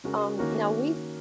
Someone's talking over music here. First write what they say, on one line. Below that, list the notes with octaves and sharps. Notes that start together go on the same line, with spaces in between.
um, now we t
C#3 G#3 F#4 A#4
D#3 A#3 C#4 F#4 A#4